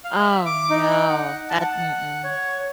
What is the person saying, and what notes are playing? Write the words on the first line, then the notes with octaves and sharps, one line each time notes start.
Oh, no. That mm-mm.
F5
E5
D6
D#4
F#5
A5
F#5
C#5